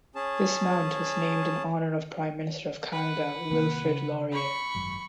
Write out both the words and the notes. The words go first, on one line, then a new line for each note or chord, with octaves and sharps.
This mount was named in honor of Prime Minister of Canada Wilfrid Laurier.
C#4 G#4 A5
B4 F#5
C2 D#3 A#3
C#3
B5 C#6
G#1 F#2